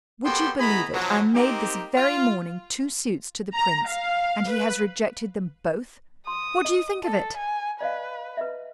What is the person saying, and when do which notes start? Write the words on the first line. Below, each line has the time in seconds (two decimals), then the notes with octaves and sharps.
Would you believe it, I made this very morning two suits to the Prince, and he has rejected them both; what do you think of it?'
0.24 F#2 B3 G4 A4 G5 C6
0.60 D#3 B3 E4 G#4 A#5 B5
0.93 G#2 B2 F3 F#3
1.34 A#3 C4 D#4 G4
1.96 F4
3.54 A#5
3.87 F5
4.49 B4
6.27 C6 D#6
6.65 D#5
7.04 A4
7.37 G#5
7.81 B4 D5 D#5 F5
8.37 B4 D#5 E5